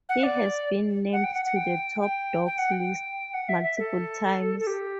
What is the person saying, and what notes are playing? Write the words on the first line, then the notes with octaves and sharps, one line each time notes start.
He has been named to the Top Docs list multiple times.
F#5
D5
F#5
G5
F#5
F#5
G5
G5
G5
F#5
G5
F#5
E5
E5
A4
A4
G4